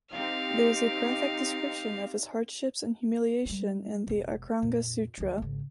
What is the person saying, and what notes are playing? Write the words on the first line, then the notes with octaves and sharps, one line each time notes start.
There is a graphic description of his hardships and humiliation in the "Acharanga Sutra".
C4 D#4 G4 F5
G3 G#3
E1 B3
F2 A#2
D2 F#3
G#1 C#3